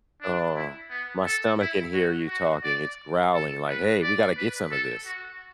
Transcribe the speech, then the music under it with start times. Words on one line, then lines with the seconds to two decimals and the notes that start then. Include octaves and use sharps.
Oh, my stomach can hear you talking. It's growling like, "Hey, we gotta get some of this.
0.22 D4
0.56 E4
0.90 B3
1.25 A4
1.60 E4
1.94 F#4
2.29 F#4
2.64 D5
3.34 A4
3.68 B4
4.02 D5
4.37 B4
4.71 A4
5.06 F#4